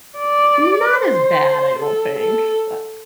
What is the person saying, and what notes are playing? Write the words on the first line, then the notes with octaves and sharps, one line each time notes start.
Not as bad, I don't think, but
D5
C5
A4
A4